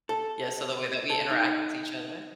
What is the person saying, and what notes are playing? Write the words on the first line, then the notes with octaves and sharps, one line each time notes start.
Yeah, so the way that we interact with each other.
A4
A4
D#4